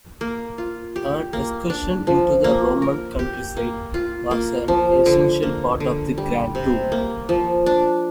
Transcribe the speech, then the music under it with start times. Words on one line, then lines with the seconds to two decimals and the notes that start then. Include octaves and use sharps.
An excursion into the Roman countryside was an essential part of the Grand Tour.
0.21 A#3
0.58 F4
0.96 G4
1.33 A#3
1.70 D4
2.07 F3
2.44 A#3
2.82 A#4
3.19 G4
3.57 A#3
3.94 F4
4.31 A#3
4.68 F3
5.06 D3
5.43 A#3
5.80 D3
6.18 G3
6.55 C3
6.92 A#3
7.29 F3
7.66 D4